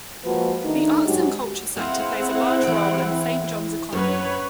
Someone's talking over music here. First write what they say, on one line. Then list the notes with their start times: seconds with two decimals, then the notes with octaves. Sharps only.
The arts and culture sector plays a large role in Saint John's economy.
0.25 F3 G#3 A#3 F#4 B4
0.64 D#3 A3 D4 D#4
1.06 G#2 F#3 G#3 F#4 G4
1.77 C4 E4 G#4 C5 F5 F#5
2.63 E3 G5
3.93 F#2 B4 C#5